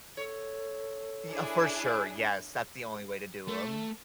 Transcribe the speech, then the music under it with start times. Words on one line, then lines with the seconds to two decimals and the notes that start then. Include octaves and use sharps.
Y uh, for sure, yes, that's the only way to do 'em.
0.17 A4 C#5
1.30 D4 E4 G#4
3.48 A3